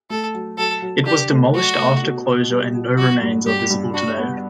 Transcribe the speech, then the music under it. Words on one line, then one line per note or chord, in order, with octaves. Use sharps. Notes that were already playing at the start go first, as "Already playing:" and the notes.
It was demolished after closure and no remains are visible today.
A3 A4
F#3
F#3 A4
F#3
D4 G4
A3
F#3 F#4
A3
B2
B2
G3
B2
F#3 F#4
G2
G2 G4
G2
D4 F#4
B3